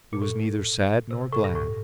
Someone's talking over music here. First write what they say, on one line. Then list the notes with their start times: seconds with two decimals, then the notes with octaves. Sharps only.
It was neither sad nor glad.
0.13 A#2
0.22 A2
1.11 C3
1.33 A2
1.44 G2
1.55 A2